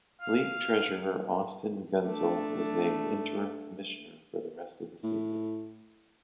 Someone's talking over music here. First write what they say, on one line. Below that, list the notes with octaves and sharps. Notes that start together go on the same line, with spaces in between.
League Treasurer Austin Gunsel was named interim commissioner for the rest of the season.
F5
A3 D4
A2